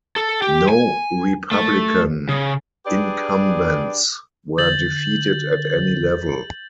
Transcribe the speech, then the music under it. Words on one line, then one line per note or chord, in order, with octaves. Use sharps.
No Republican incumbents were defeated at any level.
A4
G4
G#5
A3
C#3
D4 G4 G#4 B4 D5
D3 G6 A6 F#7